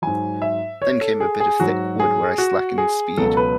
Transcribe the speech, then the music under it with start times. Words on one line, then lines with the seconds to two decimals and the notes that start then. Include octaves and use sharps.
Then came a bit of thick wood where I slackened speed.
0.02 G#2 F#3 G#5
0.42 E5
0.82 C#5
1.01 A4
1.20 G#4
1.40 G#4
1.60 G#2 F#3 F#4
2.00 G#4
2.38 F#4
2.78 G#4
3.17 C#2 B2 F#3 A4
3.37 B4